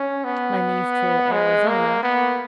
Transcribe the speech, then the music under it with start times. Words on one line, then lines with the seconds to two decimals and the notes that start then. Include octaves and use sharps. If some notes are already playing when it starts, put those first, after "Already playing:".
my niece to Arizona,
Already playing: C#4
0.24 B3
1.32 G#3
1.67 A#3
2.03 B3